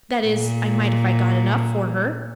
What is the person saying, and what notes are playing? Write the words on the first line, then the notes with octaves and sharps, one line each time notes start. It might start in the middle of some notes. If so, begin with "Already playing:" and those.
That is, I might if I got enough for her.
A#2